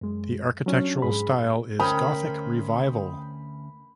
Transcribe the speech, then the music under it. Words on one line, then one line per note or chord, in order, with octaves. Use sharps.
The architectural style is Gothic Revival.
F#2 G#3
F#3 C#4 D4
G#2 G#4 B5
D2 C#4 A#4 C5 G5 B5 D#6